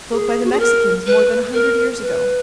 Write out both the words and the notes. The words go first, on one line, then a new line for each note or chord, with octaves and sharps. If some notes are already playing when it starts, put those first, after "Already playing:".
"Built by the Mexicans more than a hundred years ago."
G#4
F#4
G#4
A#4
B4
A#4
B4